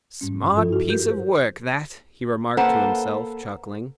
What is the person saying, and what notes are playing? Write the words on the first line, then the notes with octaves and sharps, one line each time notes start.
'Smart piece of work that!' he remarked to himself chuckling.
G#2 G3 C#4
G2
F3 F4 A4
E4 F#4
G4 A#4 G6
C5
A#3 A4 B4 C5 F#5